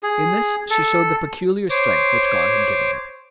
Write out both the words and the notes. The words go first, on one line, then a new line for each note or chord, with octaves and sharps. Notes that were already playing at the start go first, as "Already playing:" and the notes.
In this she showed the peculiar strength which God had given her.
G#4
A4
C5 C#5 D6